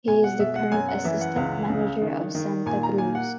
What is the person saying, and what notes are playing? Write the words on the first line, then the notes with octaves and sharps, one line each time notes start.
He is the current assistant manager of Santa Cruz.
B2 G#5
F#5
B2 E5
F#5
F#2 G#5
F#5
E3 E5
F#5
C#2
C#3
D#3
D#3
A#2 G#5
A#5
A#3 G#5
F#5